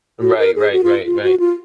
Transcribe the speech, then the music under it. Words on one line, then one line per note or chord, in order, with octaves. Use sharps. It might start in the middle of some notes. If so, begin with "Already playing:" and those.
Right, right, right, right.
F#4
A#4
G#4
F#4
F4
F4
F#4
F4